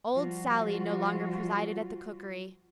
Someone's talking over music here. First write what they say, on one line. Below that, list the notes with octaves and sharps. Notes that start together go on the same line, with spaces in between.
Old Sally no longer presided at the cookery.
F3 G3 F4 F#4